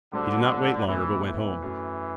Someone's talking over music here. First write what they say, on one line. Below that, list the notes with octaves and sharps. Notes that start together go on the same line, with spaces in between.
He did not wait longer but went home.
A2 D3 G3 D4 F#4 C5
E2 B2 E3 A3 C4
E3
F#2 F#3 A3